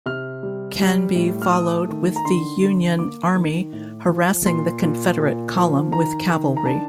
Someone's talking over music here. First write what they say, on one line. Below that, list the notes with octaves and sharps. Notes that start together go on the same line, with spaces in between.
Canby followed with the Union army, harassing the Confederate column with cavalry.
C3 F6
G3
G3
A2
F6
A3 D#6
D#3
A#5
D3 C6
D3
A#3 D6
D#3
A2
F3
A#2 C6
A#2
A#2
F3
D#3 A#5
D#3
A#5
D4 A5